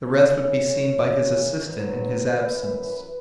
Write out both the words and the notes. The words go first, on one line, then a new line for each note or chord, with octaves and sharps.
The rest would be seen by his assistant in his absence.
F#2 C#3 E3 C#5
D#2 C#3 E3
G#2 D#3 F#3 B4
F#2 E3